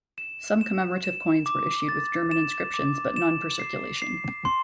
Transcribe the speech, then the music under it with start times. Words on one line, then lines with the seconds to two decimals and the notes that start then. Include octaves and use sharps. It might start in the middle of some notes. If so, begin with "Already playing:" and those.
Some commemorative coins were issued with German inscriptions but none for circulation.
0.18 E7
0.61 E7
1.04 E7
1.46 D6
1.89 A6
2.31 E7
2.74 D6
3.16 E7
3.60 C7
4.02 C7
4.45 C6